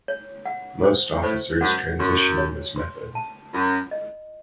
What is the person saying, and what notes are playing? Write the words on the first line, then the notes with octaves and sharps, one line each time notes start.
Most officers transition in this method.
C#5
F#5
C5
A2 C5
F#2 F#5
F#2 C6
C#5
C6
A5
F#2 F4
D#5